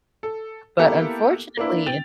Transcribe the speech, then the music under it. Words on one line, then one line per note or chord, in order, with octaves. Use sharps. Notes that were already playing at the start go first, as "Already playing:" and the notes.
but unfortunately in
A4
A#3 B3 E4 G4 A4 A#4
A#3 D4 E4
G5 A6 F7